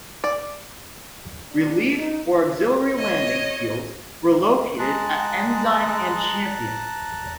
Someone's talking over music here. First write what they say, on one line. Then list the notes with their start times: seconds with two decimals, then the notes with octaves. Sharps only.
Relief or auxiliary landing fields were located at Ensign and Champion.
0.24 D5
1.52 B3 C#4 D4
1.97 D#4
2.98 C#5 D#5
4.79 G#3 A5 A#5 F#6